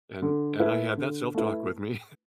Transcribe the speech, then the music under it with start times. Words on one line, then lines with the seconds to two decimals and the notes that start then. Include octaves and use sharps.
and and I had that self-talk with me.
0.22 D3
0.59 A3 E4 B4
0.97 D3
1.34 A3 E4 B4